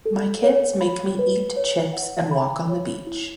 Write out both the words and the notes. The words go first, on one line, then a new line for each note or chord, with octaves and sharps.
My kids make me eat chips and walk on the beach.
A4
C#5
B5
B4
C#5
F#5
B5
C#5
E4